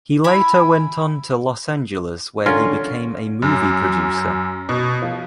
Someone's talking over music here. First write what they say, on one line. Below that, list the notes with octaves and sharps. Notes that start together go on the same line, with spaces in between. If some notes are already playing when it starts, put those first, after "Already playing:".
He later on went to Los Angeles where he became a movie producer.
E4 G#5 B5
D3 C#4 F4 A#4
F#2
B2
F3